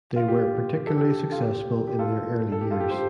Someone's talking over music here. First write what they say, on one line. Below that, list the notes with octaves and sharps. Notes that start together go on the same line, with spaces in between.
They were particularly successful in their early years.
F4
G4
F4
G4
A4
G4
F4
G4
G4
F4 A4
A4
G4
F4 A4
G4
G4 C5